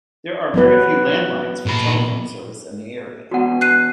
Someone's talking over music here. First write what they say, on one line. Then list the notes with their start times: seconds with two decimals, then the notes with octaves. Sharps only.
There are a very few landlines for telephone service in the area.
0.54 F#3 B3 B4
1.66 A#2 B5
3.31 E2 B2 F#4 F#5
3.61 F#6 C7 D#7